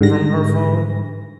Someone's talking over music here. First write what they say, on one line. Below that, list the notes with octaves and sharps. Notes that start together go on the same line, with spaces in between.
from her phone,
G#2 D3 G3 A#6